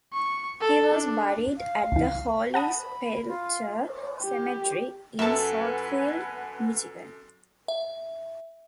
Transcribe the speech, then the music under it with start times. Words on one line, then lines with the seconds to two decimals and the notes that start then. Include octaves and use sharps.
He was buried at the Holy Sepulchre Cemetery in Southfield, Michigan.
0.13 C#6
0.61 A4
0.94 D4
1.57 F5
1.92 C#2 E3
2.54 F#5 A5 B5 D#6
3.28 F4
4.23 G4
5.19 F#2 A4 B4 E5 F#5 G#5 A5
7.68 E5